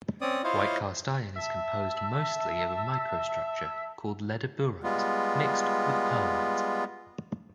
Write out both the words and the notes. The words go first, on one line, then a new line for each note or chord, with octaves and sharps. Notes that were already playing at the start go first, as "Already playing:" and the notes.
White cast-iron is composed mostly of a microstructure called ledeburite mixed with pearlite.
C4 C#4 D5 D#6
E4 F4 C5 C#5 D#5 F5
E5 A5 E6
G3 G#3 B3 F4